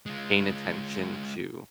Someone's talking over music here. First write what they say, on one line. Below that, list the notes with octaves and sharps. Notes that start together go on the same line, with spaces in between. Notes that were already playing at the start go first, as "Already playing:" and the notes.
paying attention to
G#3 F4